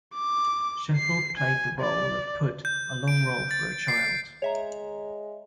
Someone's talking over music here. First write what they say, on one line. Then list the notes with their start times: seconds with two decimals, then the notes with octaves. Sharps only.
Sheffield played the role of Pud, a long role for a child.
0.14 D6
0.96 C7
1.37 G#5
1.80 D5
2.65 G6
3.08 D7
3.51 A6
3.88 C7
4.42 G#3 C#5 E5 A#5